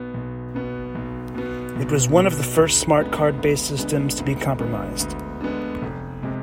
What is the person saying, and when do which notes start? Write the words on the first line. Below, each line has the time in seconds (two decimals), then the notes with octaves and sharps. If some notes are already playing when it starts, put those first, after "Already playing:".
It was one of the first smart card based systems to be compromised.
Already playing: B1 B2 B3
0.14 B1
0.55 B2 B3
0.95 B1
1.35 B2 B3
1.76 B1
2.17 B2 B3
2.56 D2
2.97 D3 G#3 B3
3.38 D2
3.78 D3 G#3 B3
4.19 D2
4.60 D3 G#3 B3
5.00 D2
5.41 D3 G#3 B3
5.82 F1
6.23 C3 G#3